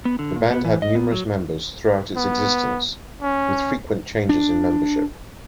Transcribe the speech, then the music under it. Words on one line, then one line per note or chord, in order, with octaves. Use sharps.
The band had numerous members throughout its existence, with frequent changes in membership.
B3
D3
A#2
B3
E3
D#5
B3
F#3
B3
C#4
D4